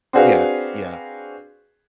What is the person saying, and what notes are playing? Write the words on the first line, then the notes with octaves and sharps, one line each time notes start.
Yeah, yeah.
C4 D4 F#4 G#4 B4 F5